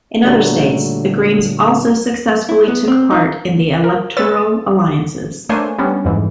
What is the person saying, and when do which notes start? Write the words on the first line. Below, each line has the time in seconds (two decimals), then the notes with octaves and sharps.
In other states, the Greens also successfully took part in the electoral alliances.
0.24 A#2 D3 F#3 G3 A3 A4
2.49 E4
2.68 B3
2.88 C4
3.11 D#4
3.84 A#4
4.17 B4 C#5 E6 A6
5.49 A3 A#3 D4 C5 C#5 G#5
5.78 G3 B3 C#4 D4
6.05 F2 G#2 E3